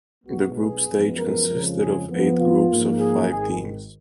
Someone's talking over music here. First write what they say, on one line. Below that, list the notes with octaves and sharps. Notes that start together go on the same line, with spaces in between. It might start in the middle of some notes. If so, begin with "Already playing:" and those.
The group stage consisted of eight groups of five teams.
B1 B2 G#3 B3 F#4
G#4
F#2 F3 G#3 B3
A#4
F2 C#3 F3 G#3
G#4
F2 F3 B3
F4
G#2 F3 A#3
G#4
G#1 G#2 D#3 G#4